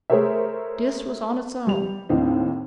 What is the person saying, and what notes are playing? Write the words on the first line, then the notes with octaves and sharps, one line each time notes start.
Dis was on its own.
A3 G#4 A#4 C5 C#5 E5
G3 F7
D#2 A2 C4 D4 D#4